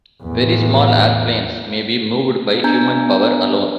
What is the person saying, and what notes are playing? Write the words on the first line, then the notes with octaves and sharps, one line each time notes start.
Very small airplanes may be moved by human power alone.
E2 A2
B3 D4 G#5 A#5 G6